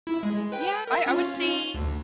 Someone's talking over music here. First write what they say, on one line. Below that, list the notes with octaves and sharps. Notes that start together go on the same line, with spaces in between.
Yeah, I I would say
E4
G#3
B4 G5
A#4 E5
C#4 F4
D2